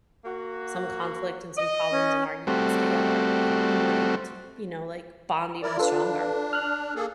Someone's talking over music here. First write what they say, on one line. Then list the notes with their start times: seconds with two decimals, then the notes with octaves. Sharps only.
some conflict and some problems and arguments together, like, we were able to, you know, like, bond even stronger.
0.25 A#3 F#4
1.56 D#5
1.92 C#4
2.47 G3 A3 C4 F#4
5.63 E4 A#4 D5
5.78 D4 F4 A4 B4
6.53 F6 F#6
6.96 A#3 G#4 A4